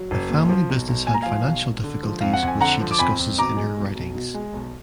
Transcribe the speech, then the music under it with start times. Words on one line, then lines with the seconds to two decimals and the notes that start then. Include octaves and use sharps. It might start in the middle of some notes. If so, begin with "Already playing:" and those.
The family business had financial difficulties which she discusses in her writings.
Already playing: F#3
0.11 F#1
0.30 A#2
0.49 F3
0.69 B1
0.88 B1
1.07 A#2 G#5
1.14 A#5
1.22 F3 F5 G#5
1.46 B1
1.65 B1
1.84 D3
2.03 F3
2.21 F2 F5
2.33 F#5
2.42 F2
2.48 G#5
2.61 D3 F#5 A#5
2.80 F3
2.91 D6
2.99 F2 G#5 B5
3.19 F2
3.38 B2 A#5 D6
3.57 G#3
3.77 B1
3.95 B1
4.15 B2
4.34 G#3
4.53 B1